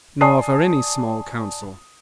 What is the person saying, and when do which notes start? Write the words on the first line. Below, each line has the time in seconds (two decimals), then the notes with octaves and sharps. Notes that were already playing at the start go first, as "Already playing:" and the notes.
Nor for any small Council.
0.21 D5 G#5 A5 D#6 C7